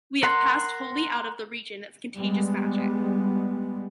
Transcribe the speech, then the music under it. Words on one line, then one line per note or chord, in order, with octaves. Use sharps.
We have passed wholly out of the region of contagious magic.
A#4 F#5 C6
G3 G#3 B3